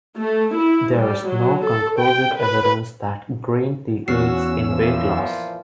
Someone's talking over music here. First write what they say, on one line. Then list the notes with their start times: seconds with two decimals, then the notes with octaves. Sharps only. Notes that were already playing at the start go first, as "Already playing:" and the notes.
There is no conclusive evidence that green tea aids in weight loss.
0.19 A3
0.58 E4
0.98 G3
1.30 F#3
1.65 A4
1.98 G5
2.37 B4
4.08 E2 B3 C#4 F#4 E6 C7
4.69 A#2 E3 F3